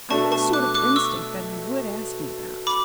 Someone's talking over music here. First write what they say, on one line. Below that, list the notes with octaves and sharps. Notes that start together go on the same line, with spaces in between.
I had a sort of instinct that he would ask me that.
B2 A3 D4 A5 C#6
A5 C#6
D6 F#6
D6 F#6
C#6 E6
B5 D6